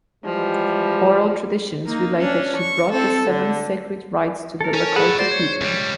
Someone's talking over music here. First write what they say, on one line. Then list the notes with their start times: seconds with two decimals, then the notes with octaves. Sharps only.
Oral traditions relate that she brought the "Seven Sacred Rites" to the Lakota people.
0.24 E3 F3 G3 G#3
1.86 A#3 D#4
2.19 C#4 D4
2.57 C#6
2.92 C4 A4
3.29 D3
4.61 A4 A#4
4.75 C#4
4.96 G#4 A4 C#5 F#5 B5
5.19 F#4 C5 D5
5.31 C#5
5.61 C#2 G3